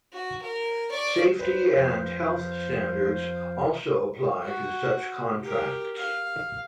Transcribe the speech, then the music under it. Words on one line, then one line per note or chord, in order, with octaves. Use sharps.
Safety and health standards also apply to such contracts.
F#4
A#4
D5 C#6
B4 C5
F2 F3
F#4
G4 A#4
F5